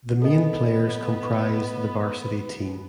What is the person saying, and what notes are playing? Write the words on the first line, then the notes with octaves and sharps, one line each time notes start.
The main players comprise the varsity team.
B3 A4 B4 D#5